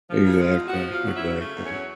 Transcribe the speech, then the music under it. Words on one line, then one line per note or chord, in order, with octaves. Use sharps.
Exactly, exactly.
F3
C#3
G#3 F4 F5
E2
F#4 F#5
F3
E2 F4 F5
F#3
E4 E5
C#3
A3
E2
C#4 C#5
F#3